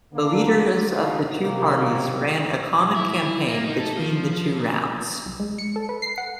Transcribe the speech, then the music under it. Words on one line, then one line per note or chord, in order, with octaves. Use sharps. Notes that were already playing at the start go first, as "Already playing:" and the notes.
The leaders of the two parties ran a common campaign between the two rounds.
D3 A#3
D2 C#3 F3 F#3 F5
C3 D#3 F#3 A#3
B1
E4
A#3
D#4
A4
F3
F3
A#2
C2
G#3
C#7
A4
B4
C7
F#5